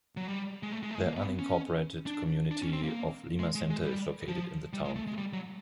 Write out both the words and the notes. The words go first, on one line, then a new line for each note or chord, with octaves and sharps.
The unincorporated community of Lima Center is located in the town.
F#3
G3
G#3
A3
G#3
A3
G#3
A#3
B3
C#4
D4
D4
C#4
C4
A#3
G#3
G#3
G#3
G3
F3
G3
G#3
A3
G#3
G3
F#3